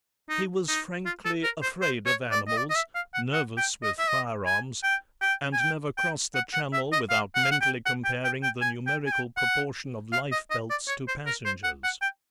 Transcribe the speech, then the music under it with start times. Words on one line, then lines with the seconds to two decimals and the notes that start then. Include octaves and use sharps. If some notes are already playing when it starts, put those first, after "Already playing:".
He was frankly afraid of animals, nervous with firearms, and never crossed the Channel without mentally comparing the numerical proportion of lifebelts to passengers.
0.30 D#4
0.69 D#4
1.06 F4
1.25 A4
1.43 A#4
1.62 C5
1.82 C5
2.06 C#5
2.32 D5
2.48 D#5
2.57 D5
2.70 D#5
2.75 E5
2.95 F5
3.14 F#5
3.33 F#5
3.57 G5
3.83 D#5
3.99 E5
4.08 D#5
4.46 G#5
4.84 G5
5.22 G5
5.53 G#5
5.59 G5
5.97 G5
6.35 F#5
6.53 F#5
6.73 E5
6.92 D#5
7.10 F5
7.35 F#5
7.44 F5
7.51 F#5
7.62 G5
7.86 F#5
8.05 G5
8.24 G5
8.43 G5
8.61 G#5
8.87 G5
9.06 G#5
9.12 G5
9.37 F#5
10.13 F5
10.32 D#5
10.51 D#5
10.70 D5
10.88 C#5
11.08 C5
11.26 A#4
11.45 C5
11.64 F#5
11.84 F#5
12.02 G5